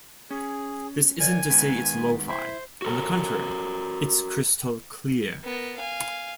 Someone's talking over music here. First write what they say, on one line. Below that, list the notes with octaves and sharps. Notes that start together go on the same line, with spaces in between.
This isn't to say it's lo-fi; on the contrary, it's crystal clear.
C#4 G#4
A#4 C#5 D5 G#5
D#3 G#3 B3
E4 C5
F#4 A4 A#4
B3 A#4
F5 G#5